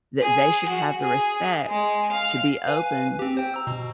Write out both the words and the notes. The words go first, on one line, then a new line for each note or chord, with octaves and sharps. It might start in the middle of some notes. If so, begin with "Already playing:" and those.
that they should have the respect to be open
G#4
F#4
G#4
G#3
F5
B4 F5 G#5
C4 G4
C5 G5
A#5 E6
B2